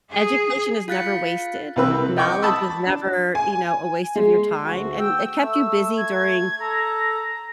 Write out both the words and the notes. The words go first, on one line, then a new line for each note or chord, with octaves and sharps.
Education is never wasted. Knowledge is never, you know, a waste of your time, and it kept you busy during
G#4
F4 F5 F#6 A6 B6 C#7
C2 E3 C4 B4 E6
D#5 G5 C#6 D6
A5 B5 D#6 E6
D4
G#5
G#3
D2 F#4
G5 E6
A3
G#6
A4 A#5